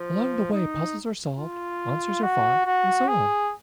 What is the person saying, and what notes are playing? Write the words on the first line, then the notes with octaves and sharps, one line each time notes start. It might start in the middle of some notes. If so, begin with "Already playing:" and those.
Along the way puzzles are solved, monsters are fought, and so on.
Already playing: F3
D#4
F4
F#4
F#4
G#4